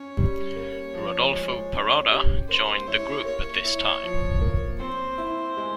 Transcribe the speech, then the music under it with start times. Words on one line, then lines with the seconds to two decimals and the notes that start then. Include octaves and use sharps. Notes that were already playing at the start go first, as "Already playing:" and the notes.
Rodolfo Parada joined the group at this time.
Already playing: C#4 C#5
0.17 G3
0.56 A#3
0.94 F3
1.32 G#3
1.71 C#4
2.10 G4
2.48 A#3 C5
2.86 E4 C#5
3.25 A#3 C#5
3.64 E4
4.03 F3
4.41 A#3
4.79 C4 C5
5.18 E4
5.57 G#3